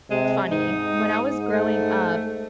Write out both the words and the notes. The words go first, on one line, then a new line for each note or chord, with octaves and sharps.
funny, when I was growing up,
C3 G#3
G#2 D#4
A3